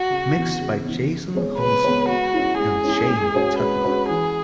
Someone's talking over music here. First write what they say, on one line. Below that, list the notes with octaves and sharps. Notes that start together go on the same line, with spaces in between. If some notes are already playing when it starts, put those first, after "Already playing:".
Mixed by Jason Holstrom and Shane Tutmarc.
Already playing: F#4
C#3
E3 B3
C#3
E3 B3
C#3
G#3 B3 G#4 C#5
C#3 B4
G#3 B3 G#4 C#5
G#3 F#4
C#4 E4
G#3 G#4
C#4 E4
G#3
C#4 F#4 C#5
G#3 B4
C#4 F#4 C#5
E3 G#4